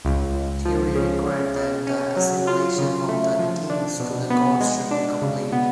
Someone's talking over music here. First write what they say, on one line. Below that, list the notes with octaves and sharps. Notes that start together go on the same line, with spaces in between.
Theory required that the assimilation of the kings to the gods should be complete.
C#2
C#2
F3
C#3
C#3
C#3
C#4
F#3
F4
C#3
A3
F3
D4
B2
B3
G#3
D4
C#3
B3